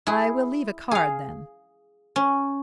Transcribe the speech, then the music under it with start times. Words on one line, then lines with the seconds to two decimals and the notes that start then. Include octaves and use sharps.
"I will leave a card then."
0.07 E4 G#4
0.91 G#4 F5
2.16 C#4